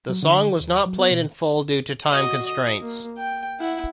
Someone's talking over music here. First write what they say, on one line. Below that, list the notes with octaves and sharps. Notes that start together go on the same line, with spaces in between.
The song was not played in full due to time constraints.
F#3
D3
D#2
F#3
B3
B2
F#4 D#5
D#5
A#3
G5
E4 F#5